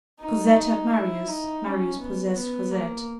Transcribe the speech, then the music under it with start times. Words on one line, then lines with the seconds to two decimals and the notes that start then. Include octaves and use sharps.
Cosette had Marius, Marius possessed Cosette.
0.20 D#4
0.92 E4
1.28 D#4
1.64 C#4
2.00 B3
2.36 B3
2.71 A#3